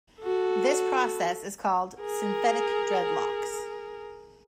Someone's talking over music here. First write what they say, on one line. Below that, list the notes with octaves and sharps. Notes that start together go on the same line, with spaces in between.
This process is called synthetic dreadlocks.
F#4 A4
G#4 A#4